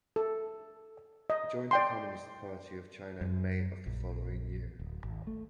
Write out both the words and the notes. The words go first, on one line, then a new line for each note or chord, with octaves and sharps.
He joined the Communist Party of China in May of the following year.
A4
D#5
D5 G5 C6
F#2
A#1
D1
G#1
A3